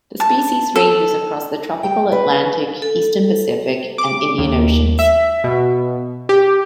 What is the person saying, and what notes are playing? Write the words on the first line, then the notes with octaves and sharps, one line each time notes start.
This species ranges across the tropical Atlantic, eastern Pacific, and Indian Oceans.
A5
A4
G5
B4
A4
D6
D#2
E5
B2
G4